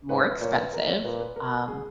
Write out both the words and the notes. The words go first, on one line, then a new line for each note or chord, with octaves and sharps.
more expensive, um
G#2 B4
A#2 C#5
B4
A#4
C#5
A#2 B4
B4
A#4
G#4